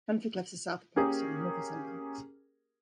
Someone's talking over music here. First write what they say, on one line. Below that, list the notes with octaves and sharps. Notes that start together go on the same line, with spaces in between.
Canford Cliffs is south of Parkstone and north of Sandbanks.
A#3 C#4 G4 G#4 A#4